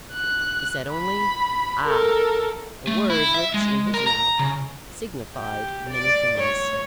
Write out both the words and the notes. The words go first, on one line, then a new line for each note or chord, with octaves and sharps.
He said only, "Ah!"--a word which, in his mouth, signified many things.
F#6
B5
A4 A#4
A3
E4
E5
G#3
A#4
A#5
C#3
G4
D5
C#5